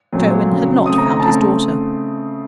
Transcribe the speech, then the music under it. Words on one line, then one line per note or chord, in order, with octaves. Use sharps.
Sherwin had not found his daughter.
A#2 F#3 A3 C4
C#3 F#3 C4
C#3 A3 C4 D#6
A#5
A#5
C#3 A3 C4 A5